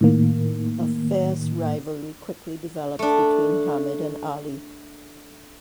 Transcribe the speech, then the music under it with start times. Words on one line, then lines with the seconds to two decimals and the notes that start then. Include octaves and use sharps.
A fierce rivalry quickly developed between Hamid and Ali.
0.01 A2 D#3 A#3
2.99 A3 D4